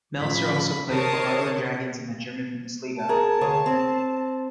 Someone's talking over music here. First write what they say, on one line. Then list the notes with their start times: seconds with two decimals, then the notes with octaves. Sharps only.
Melzer also played for Artland Dragons in the German Bundesliga.
0.21 A2 C#3 F3 B5
0.90 D#3 A#4 C5 C#5 A5 D#6
2.97 A5
3.09 G#4 A#4
3.41 D2 G#4 C#5
3.66 C4